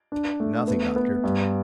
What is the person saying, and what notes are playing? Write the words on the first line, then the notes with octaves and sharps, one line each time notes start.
"Nothing, Doctor."
D4
A3
B3
B3
G2